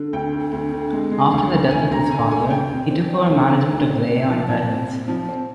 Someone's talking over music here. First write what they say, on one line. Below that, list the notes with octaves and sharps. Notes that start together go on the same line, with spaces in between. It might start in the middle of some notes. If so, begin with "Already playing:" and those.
After the death of his father, he took over management of Lea and Perrins.
Already playing: D3
D2 G5
D3
D2
D3
G#3
G#3
D2
D2
D2 G#5
D2 A#5
D3 G#5
D2 G#5
D2 G5
C3
C4
C4
D2
C4
D2
C4
C3
F3
F3
C4
C3
F3
C4